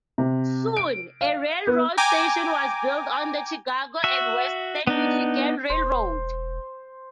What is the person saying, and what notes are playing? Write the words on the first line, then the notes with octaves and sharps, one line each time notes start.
Soon, a railroad station was built on the Chicago and Western Michigan Railroad.
C3
D7
F5
B3
G5 G#5 A#5 D6
F#4 E5
B3 D4 D#4
E1 C5